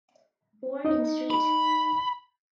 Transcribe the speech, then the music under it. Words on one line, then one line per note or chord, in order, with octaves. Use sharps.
Born in St.
D#4 D#5
B5